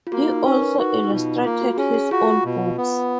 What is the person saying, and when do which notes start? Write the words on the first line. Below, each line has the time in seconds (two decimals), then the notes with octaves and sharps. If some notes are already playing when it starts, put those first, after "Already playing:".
He also illustrated his own books.
0.07 F4
0.12 A#3 F#4
0.29 D#4
0.45 C#4 B4
0.57 A#4
0.62 B4
0.78 D#4 F#4
1.04 D#4
1.11 B2 F4
1.44 A#3 F4
1.61 F#4
1.78 C#4 G#4
1.94 G#4
2.11 F4 F#4
2.45 B2
2.77 B3